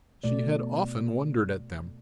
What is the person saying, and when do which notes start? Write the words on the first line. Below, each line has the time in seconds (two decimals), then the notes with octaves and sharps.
She had often wondered at them!
0.24 B2 A3 D5